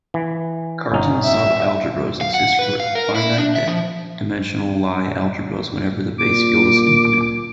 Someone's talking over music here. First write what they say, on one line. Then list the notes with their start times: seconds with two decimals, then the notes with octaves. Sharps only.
Cartan subalgebras exist for finite-dimensional Lie algebras whenever the base field is infinite.
0.14 E3
0.92 G1 C#4 D#4
1.26 E5
2.21 F5
2.34 F#5
2.59 B4
2.80 F5
2.95 A#4
3.15 E4
3.38 D4
3.55 E5
3.67 F3
6.19 A#2 D6